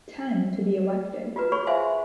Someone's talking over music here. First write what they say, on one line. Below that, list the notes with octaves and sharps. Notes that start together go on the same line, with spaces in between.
Ten to be elected.
F4 F#4 B4
F#4 G#4 C#5 B5 C#6
C5 E5 F5 G#5 C6